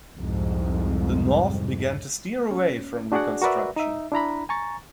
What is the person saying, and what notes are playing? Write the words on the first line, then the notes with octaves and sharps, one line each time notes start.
The North began to steer away from Reconstruction.
C2 F2 G#2
C#4
D4 F#4 G#4 D5 F#5
F#4 A#4 B4 D5 E5
D#4 E5
D4 E4 A#5 B5
G#5 A#5 C#6 A6